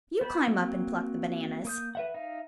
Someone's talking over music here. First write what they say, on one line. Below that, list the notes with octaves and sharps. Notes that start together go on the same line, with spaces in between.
You climb up and pluck the bananas.
B3 C5 B5
F#3 A#3 C4
A#3 D#6 G6
B4 E5 F#5
D#4 E5 F5